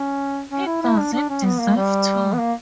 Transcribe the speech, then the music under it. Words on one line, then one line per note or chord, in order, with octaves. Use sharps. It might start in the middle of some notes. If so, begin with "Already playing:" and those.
He doesn't deserve to.
Already playing: C#4
C#4
E4
E4
D4
D4
C#4
B3
A#3
G3
B3
A#3